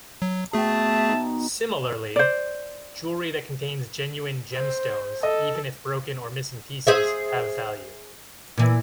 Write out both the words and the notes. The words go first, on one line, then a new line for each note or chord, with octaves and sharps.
Similarly, jewelry that contains genuine gemstones, even if broken or missing pieces, have value.
F#3
B2 A3 G#4 E5 G5 A5
D#4
C5 D5
C5
A4 D#5
G#4 C5 E5
A#2 E3